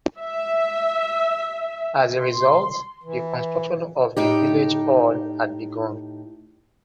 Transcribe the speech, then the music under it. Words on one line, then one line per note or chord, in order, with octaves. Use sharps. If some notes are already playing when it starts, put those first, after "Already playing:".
As a result, the construction of the village hall had begun.
E5
C6
E3
A2 D#4 G4